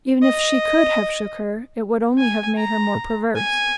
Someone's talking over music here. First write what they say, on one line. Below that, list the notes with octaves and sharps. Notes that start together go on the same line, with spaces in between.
Even if she could have shook her, it would only have made her more perverse.
D#5
G#5
A#5
G#5